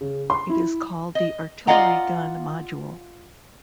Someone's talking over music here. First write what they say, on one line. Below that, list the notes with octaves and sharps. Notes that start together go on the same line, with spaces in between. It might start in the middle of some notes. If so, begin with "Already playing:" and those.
It is called the Artillery Gun Module.
C#3
C6
E4
D#5
F4 D5 D#5 F5 F#5 A#5